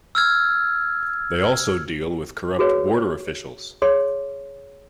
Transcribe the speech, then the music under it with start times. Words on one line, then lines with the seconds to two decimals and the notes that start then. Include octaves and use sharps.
They also deal with corrupt border officials.
0.15 E6 F6 G#6
2.59 F#4 G#4 B4 C#5
3.82 G#4 C#5 C6